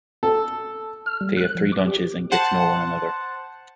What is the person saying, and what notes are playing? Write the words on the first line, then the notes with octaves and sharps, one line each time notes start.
They have three lunches and get to know one another.
A4
F6
G3
F#6
F3
D6
G4
C5 F#5 A5